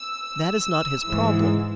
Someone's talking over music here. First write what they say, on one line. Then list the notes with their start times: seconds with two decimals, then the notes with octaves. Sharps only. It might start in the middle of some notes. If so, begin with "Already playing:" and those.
That is not his problem.
Already playing: E6
1.08 G#2 E3 G#3